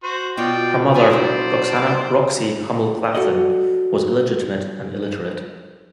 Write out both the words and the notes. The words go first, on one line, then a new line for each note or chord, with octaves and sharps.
Her mother, Roxanna "Roxy" Hummel Claflin, was illegitimate and illiterate.
F#4 C5
B2 F4 C#5 D5 G5
F#3 A3 D4 C#5 G#5
F#3 D4 E4 C5 D5
D6
F#4 A4 D5 D#5